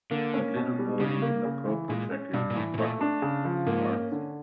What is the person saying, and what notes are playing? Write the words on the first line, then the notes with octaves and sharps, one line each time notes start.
A little boy in a purple jacket is buckled into his car seat.
D3 A#3
C#4
B2
G3
C#3 G3
A#3
C#3
E3
A#2 G#3
C#4
G2 B2
A#2
A2 E3
B2
A#2 A3
D4
C#3
F3
G#2 A#3
C#4
D3